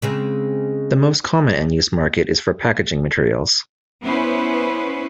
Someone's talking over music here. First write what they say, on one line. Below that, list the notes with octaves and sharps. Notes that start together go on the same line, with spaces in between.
The most common end use market is for packaging materials.
C#3 G#3 C4
B3 C#4 E4 B4 C5